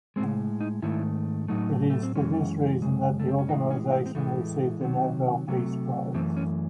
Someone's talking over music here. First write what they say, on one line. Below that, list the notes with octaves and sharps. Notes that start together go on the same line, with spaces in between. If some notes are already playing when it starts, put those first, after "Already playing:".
It is for this reason that the organization received the Nobel Peace Prize.
A2 G#3 C4
D#4
G#2 D#3 A3 E4
A2 F#3 A3 D#4
A3
C4
F#2 E3 G#3 C#4
F#2 C#3 G#3
A3
C4
C#4
A2 E3 G#3 D#4
C#4
C4
C4
A2 E3 G#3 A3
C3 D#3 F#3
C3 F#3 A3
F#2 E3 A3 C4
C#4